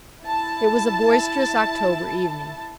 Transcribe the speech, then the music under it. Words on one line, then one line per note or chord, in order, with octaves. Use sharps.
It was a boisterous October evening.
E4 A5